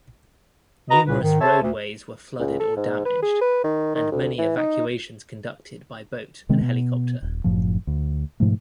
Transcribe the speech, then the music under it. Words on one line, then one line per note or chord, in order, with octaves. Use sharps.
Numerous roadways were flooded or damaged and many evacuations conducted by boat and helicopter.
F#4 B4 D#5 A#5
C2 A#2 B4
G#2 D#3
A4 C5 C#5 E5 A5
D2
C#2
A4
G#2
B4
G#4
B4
D#3
D#3
D2
E3
D#4
C3 D#3 G#3 C4
B2
D#1
F#1 F#2 A2 F3
D2
G#2 B2 F3 A3